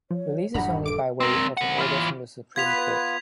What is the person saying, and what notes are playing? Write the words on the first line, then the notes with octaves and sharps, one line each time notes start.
Release is only by way of an order from the Supreme Court.
F3 C#5
D#1 G2 D4 F#5 A#5 B5
A4 D6 D7
C4 A#4
A#4 F#5
E3 F4
B3 F4 B4 G#6 B6 F7